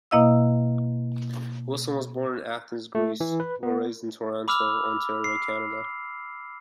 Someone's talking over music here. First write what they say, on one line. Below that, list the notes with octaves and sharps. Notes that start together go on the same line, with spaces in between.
Wilson was born in Athens, Greece, but raised in Toronto, Ontario, Canada.
B2 A#3 E4 D#5 F5 E6
A3
E3
B4
B3
B5 D6 E6 F6 F7
C7